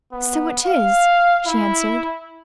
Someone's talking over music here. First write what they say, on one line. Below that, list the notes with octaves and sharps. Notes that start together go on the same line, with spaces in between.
"So it is," she answered.
B3
F5
E4